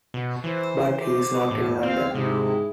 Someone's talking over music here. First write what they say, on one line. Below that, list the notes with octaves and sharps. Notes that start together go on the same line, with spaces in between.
But he's not in London?
B2
E3 C5
C5 D6
E2 A2
C4 F5
G#2 C3 G#3 E4